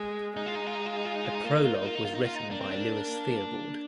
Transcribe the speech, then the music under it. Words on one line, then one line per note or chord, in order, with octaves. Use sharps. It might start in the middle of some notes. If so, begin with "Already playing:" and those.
The prologue was written by Lewis Theobald.
Already playing: G#3
G#3 D#4
F4
D#4
F4
D#4
F4
D#4
F4
D#4
F4
D#4
A#3 F4
D#4
F4
D#4
F4
D#4
F4
D#4
F4
D#4
A#3 D4
C4
D4